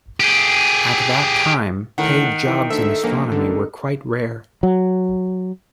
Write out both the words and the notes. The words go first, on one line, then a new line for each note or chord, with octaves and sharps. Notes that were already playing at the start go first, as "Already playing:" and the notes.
At that time, paid jobs in astronomy were quite rare.
G4 G#4
A2 D#3 F#5
E3 G5
D2 A4 E5
A#1 A#3
A1 D3
F#3